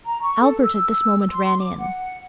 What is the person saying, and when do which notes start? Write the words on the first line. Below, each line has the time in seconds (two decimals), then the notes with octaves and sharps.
Albert at this moment ran in.
0.05 A#5
0.22 C#6
0.39 A4
0.62 E6
1.31 C6
1.58 D6
1.77 F#5